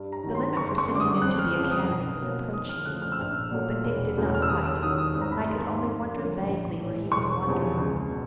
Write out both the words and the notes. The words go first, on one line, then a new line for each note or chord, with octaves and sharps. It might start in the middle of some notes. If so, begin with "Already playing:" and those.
The limit for sending in to the Academy was approaching; but Dick did not write, and I could only wonder vaguely where he was wandering.
Already playing: G2
A#5
D#3 F#3
C6
F#1 C#6
C#6
F#2 D3
D6
D#6
F2 F#6
F6
C#3 F3 F6
D#6
B1
B2 F#3 A#3 C#4
F2 D#6
F6
C#3 F3 A3 F#6
F6
E6
A#1 F6
A#2 F#3 A3
E1
E2 C#3 F#3 A3
F6
E6
D#2 D#6
E6
D#3 F#3 D#6
D#6
G#1
A#5
B5
G#2 D#3 C6
C6
F2
D3 F3 A3 C#4
A#1
A2 E3
E1 C#6
E2 C3 F3
C#2
B2